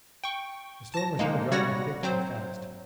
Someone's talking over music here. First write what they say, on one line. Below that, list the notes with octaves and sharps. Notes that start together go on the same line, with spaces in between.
The storm was now driving thick and fast.
G5 C#6
A5 A#6
G#3 A#3 D#4
G3 F#4 C#5 D5 F#5 A#6
F#3 C4 C5